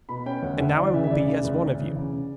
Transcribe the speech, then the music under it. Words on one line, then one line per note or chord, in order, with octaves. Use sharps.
And now I will be as one of you.'
B2 B5
C#4 G5
D2 F#5
D2 E5
E3 D5
C#3 E5
E5
D2 D5
C#3
D2
C#3
E2
C#3
C#3